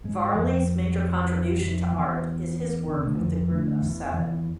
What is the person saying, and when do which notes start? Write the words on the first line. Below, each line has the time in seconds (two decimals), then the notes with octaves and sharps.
Varley's major contribution to art is his work with the Group of Seven.
0.04 G#2 G#3
0.35 F2 F3
1.61 F2 F3
1.93 E2 E3
2.88 D3
2.96 C3
3.03 D2 D3
3.19 F2 F3
3.51 D2 D3
3.82 E2 E3
4.13 E2 E3